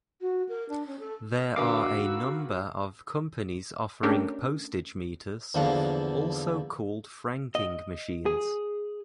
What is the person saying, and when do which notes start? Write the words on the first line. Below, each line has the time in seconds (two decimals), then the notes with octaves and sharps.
There are a number of companies offering postage meters, also called franking machines.
0.21 F#4
0.49 A#4
0.69 D4
0.87 C#4
0.99 A4
1.56 D3 F#4 A#4 B4 F5 D6 E6
4.03 A3 C#4 D4 G4 A#4
5.55 E2 D3 F3 A#3 F5 F#5
7.55 D#5
8.26 G#4